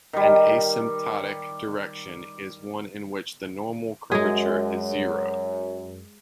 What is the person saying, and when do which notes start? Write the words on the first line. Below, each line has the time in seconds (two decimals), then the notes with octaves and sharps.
An asymptotic direction is one in which the normal curvature is zero.
0.13 D#3 G3
4.12 F#2 G#3 G#4